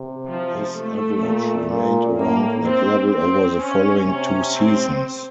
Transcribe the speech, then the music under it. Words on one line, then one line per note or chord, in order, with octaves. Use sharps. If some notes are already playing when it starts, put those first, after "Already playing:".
His average remained around that level over the following two seasons.
Already playing: C3
F3
A3
A#2
A#2
A2 A#3
C4
C4
C#4
C3 C#4
C4